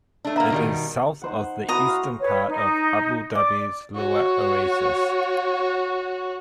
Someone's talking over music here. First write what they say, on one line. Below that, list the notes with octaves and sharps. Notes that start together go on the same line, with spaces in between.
It is south of the eastern part of Abu Dhabi's Liwa Oasis.
A3 D4
A#3 B3 E5 A#5
B2 D#3 G3
D#4 C5 F#5
E4 F#4 D#5 A#5 D#6
F5
B4 C#5
D#4
D5 D6
F#4 C#5